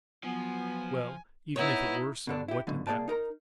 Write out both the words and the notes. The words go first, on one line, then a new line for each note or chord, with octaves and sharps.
Well, even if it were so, what did that prove!
F3 F#3 B3 G#5
B3 D#4 E4 C#5
B2 D3 D4
E4 G4
C#2 F#2 B2 D3
C2 A#3 G#4 D5 G5 A5
D#4 A#4 A#5